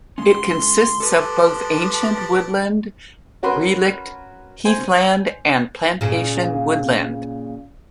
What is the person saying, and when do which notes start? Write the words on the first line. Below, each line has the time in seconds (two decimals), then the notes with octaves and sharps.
It consists of both ancient woodland, relict heathland and plantation woodland.
0.18 C#3 G#3 C#4 C6
1.00 F3 G3 D4 A4 B4
3.43 C#4 F#4 A#4 B4 C6
4.65 C5 G#5
6.01 A#2 C#3